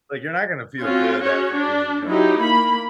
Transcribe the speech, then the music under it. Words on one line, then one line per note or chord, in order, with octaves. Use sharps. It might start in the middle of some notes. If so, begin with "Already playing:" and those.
like, you're not gonna feel good after eating, you know, a
C4 C#4 F4 F#4
C#4 F#4 G#4 C#5
D4
F#3 D#4 E4 G4
A#3 B5